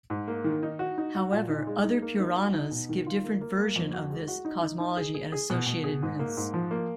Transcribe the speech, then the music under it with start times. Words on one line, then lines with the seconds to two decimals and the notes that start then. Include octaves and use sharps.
However, other Puranas give different version of this cosmology and associated myths.
0.10 G#2
0.28 A#3
0.44 D#3
0.63 D#4
0.79 F#4
0.98 D#4
1.15 F#4
1.32 A#2
1.50 D#4
1.67 G#3
1.84 D#4
2.02 A#3
2.19 D#4
2.36 F#4
2.54 D#4
2.71 B2
2.89 D#3
3.07 F4
3.24 A#3
3.41 A#3
3.58 A#3
3.76 F2
3.93 F#4
4.10 G#3
4.28 F#4
4.45 D#4
4.63 D#4
4.80 D#4
4.97 G#4
5.14 G#4
5.32 G#4
5.50 B2
5.66 B2
5.84 G#4
6.02 G#2
6.19 A#3
6.37 G#2
6.54 F3
6.71 A#3